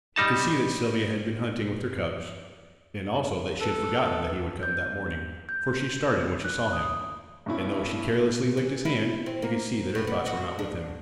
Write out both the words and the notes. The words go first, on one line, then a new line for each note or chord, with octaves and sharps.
He could see that Silvia had been hunting with her cubs, and also that she had forgotten that he would come that morning, for she started when she saw him, and though she carelessly licked his hand, he could see that her thoughts were not with him.
G3 D#4 A5
A4 B4
G6
G6
F#6
D#6
G2 B2 C#4 E4
E3
E4
C4
A#3
A2
B3
F#4
D4